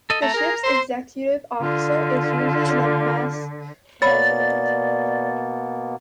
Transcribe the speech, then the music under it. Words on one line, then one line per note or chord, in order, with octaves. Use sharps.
The ship's executive officer is usually the "mess president".
A4 D#5
A3 A#5
G#4 A#4
C5 C6 E6 G6
D3 F4
B2 A#3 B3 C#5 D5 B5 A6